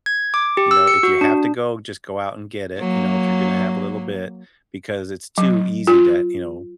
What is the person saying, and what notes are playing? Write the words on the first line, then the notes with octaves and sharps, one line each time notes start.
You know, if you have to go, just go out and get it, you know, if you're gonna have a little bit because it's too easy to, you know,
G#6
D6
G4
E6
C#7
F#4
D4
F#3 A#3
F#3
F4